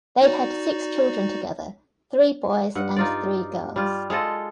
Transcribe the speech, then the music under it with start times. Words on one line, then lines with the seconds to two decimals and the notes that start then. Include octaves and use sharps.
They had six children together, three boys and three girls.
0.22 D#4 F#4 D5
2.75 G2 F#5
2.96 D#4 F4 D5
3.76 G3 F4
4.10 G#3 F4 A4 D#5